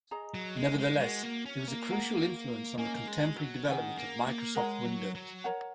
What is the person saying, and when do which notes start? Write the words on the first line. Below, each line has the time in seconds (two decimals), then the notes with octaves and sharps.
Nevertheless, it was a crucial influence on the contemporary development of Microsoft Windows.
0.11 G#4 D#5 A#5
0.34 F#3
0.57 G#3
0.78 G#3
1.00 G#3 F#4 A#4 F#5
1.23 A#3
1.46 C#4
1.68 A#3
1.89 G#4 F#5 A#5
2.78 A#3 C#4 A#4 D#5 G#5
2.96 A#3
3.08 G#3
3.37 F#3
3.67 D#3 C#4 G#4 F#5
3.97 A#3
4.26 A#3
4.55 G#3 A#4 C#5 F#5 A#5
4.85 F#3
5.15 F#3
5.44 A#4 C#5 F#5 A#5